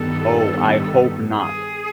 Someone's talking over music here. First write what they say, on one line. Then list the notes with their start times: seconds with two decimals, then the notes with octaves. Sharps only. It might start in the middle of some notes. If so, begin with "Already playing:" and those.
Oh, I hope not.
Already playing: G2 D#3 G3 B3 A4
1.37 G#4